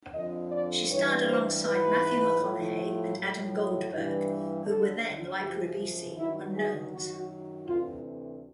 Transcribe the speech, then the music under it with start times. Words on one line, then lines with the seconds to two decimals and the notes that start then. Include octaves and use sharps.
She starred alongside Matthew McConaughey and Adam Goldberg, who were then, like Ribisi, unknowns.
0.13 F2 D3 F3 D#5
0.51 D5
0.88 G2 E3 C#5
1.27 C5
1.64 G#2 E3 B4
2.40 A2 F3
3.15 A2 F#3
3.90 G2 E3
4.65 D2 D3 F#3 A4
5.41 F#2 C#3 F3 G4
6.16 G2 D#3 F#3 E4
6.54 G#4
6.92 F#2 D#3 F#3 F#4
7.67 D2 C3 E3 F4